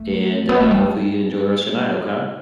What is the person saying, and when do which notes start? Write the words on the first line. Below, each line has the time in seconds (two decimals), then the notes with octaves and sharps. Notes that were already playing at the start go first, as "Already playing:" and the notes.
and, uh, hopefully you enjoy the rest of your night, okay?
Already playing: A3
0.49 B3
0.61 A3
0.71 G3